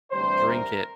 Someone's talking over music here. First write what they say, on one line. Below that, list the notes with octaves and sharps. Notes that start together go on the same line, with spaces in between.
drink it,
D2 C3 E3 G3 C5
A#4